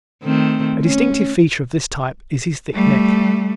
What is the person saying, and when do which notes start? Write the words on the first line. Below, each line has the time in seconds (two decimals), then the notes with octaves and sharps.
A distinctive feature of this type is his thick neck.
0.23 D#3 A3 C4
0.83 C#4
2.74 G3 A3